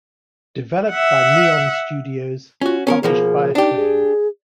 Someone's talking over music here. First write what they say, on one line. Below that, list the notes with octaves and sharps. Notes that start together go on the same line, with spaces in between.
Developed by Neon Studios, published by Acclaim.
E5 F#5
C#4 F4 F#4
B3 C#4 A4 A#4
B2 F3 A#3 G#4
D4 D#4 G4
G#4